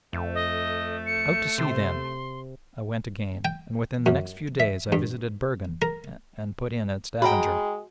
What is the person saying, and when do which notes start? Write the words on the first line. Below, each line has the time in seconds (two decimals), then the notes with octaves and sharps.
Out to sea, then, I went again; and within the next few days I visited Bergen, and put in at Stavanger.
0.13 F2 A3
0.34 D#5
1.06 C#7
1.58 C3 C6
3.45 G5
4.06 F#2
4.60 E5
4.92 G2
5.82 A#4
7.22 G#3 F#4 G5 A#5 B5